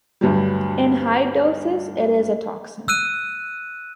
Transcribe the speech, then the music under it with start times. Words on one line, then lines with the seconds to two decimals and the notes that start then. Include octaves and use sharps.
In high doses, it is a toxin.
0.21 D2 G2 F#3 G3
2.88 E6 F#6 D#7